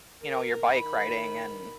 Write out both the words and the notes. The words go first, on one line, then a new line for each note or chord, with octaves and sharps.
you know, your bike riding and
A#4
D#3 B5